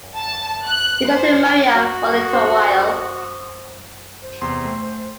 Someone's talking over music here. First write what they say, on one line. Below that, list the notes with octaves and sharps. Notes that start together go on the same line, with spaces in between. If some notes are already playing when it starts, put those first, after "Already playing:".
He talked to Miriam for a little while.
A5
F#6
C5
F#4
C5
C5
E2 C3 C6
A3 G5